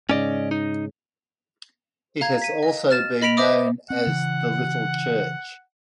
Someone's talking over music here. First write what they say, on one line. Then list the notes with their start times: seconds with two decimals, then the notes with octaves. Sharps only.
It has also been known as The Little Church.
0.09 G#2 C#3 C#4 D5 D#5
0.51 D#4
2.21 F5 A#5 G#6
2.42 B6 D#7
2.63 D#5
2.91 F6 A6 E7
3.22 D#5 B5 B6 D7 F7
3.37 C5 D#5 E5 D6 D#6
3.90 C4 F#5
4.06 C#3 E3